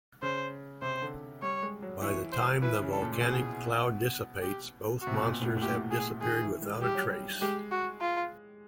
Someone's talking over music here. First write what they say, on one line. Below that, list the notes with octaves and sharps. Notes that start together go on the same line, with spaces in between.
By the time the volcanic cloud dissipates, both monsters have disappeared without a trace.
C#3 C5
C3 C5
D3
G3 C#5
G#3
F#3
E3 C#5
C5
E3 B4
C#3
A4
A#2
A#2
B2 G#4
G4
F#4
C3
B2
A#2
A2
A2
A#2 G4
G#4
D#3 G#4
E3
G#3
G3 G4
F#3
G3
G#3 G4
F#4
F4